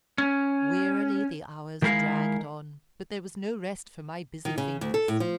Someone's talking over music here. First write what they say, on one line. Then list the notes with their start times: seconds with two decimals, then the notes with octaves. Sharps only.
Wearily the hours dragged on, but there was no rest for my busy fingers.
0.18 C#4
1.82 D#3 G#3 E4 A#4 F5
4.45 D#3
4.58 C#3
4.81 D2
4.94 A4
5.08 A2
5.20 F3